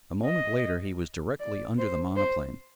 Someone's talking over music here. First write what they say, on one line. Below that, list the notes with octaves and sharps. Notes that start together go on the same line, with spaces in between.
A moment later he was directly under the monoplane.
D#5
D5
C5
C5